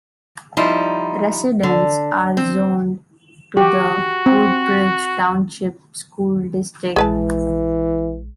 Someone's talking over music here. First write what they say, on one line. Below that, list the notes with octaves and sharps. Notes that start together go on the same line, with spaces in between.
Residents are zoned to the Woodbridge Township School District.
F3 G3 D#4 E4
D3
C4
F#4 G4
C4
A#1 E3 G#3 G#4 B4 A5